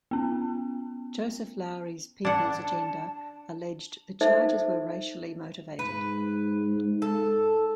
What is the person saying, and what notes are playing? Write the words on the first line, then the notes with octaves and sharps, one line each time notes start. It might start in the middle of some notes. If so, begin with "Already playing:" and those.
Joseph Lowery's People's Agenda alleged the charges were racially motivated.
B3 C#4
D4 D5 F#5 A5
D#4 A4 C5 E5
G#2 B4
A4